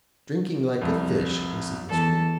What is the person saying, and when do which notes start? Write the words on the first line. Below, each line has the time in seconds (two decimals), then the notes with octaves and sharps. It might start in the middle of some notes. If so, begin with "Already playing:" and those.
'Drinking like a fish,' Bessie whispered.
0.81 C2 F2
1.88 E2 A4